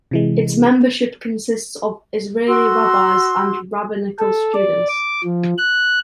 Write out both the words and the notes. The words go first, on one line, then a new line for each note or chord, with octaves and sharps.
Its membership consists of Israeli Rabbis and rabbinical students.
C3 E3 G#3
F#4 C6 E6
A4
D5
D6
F3
F#6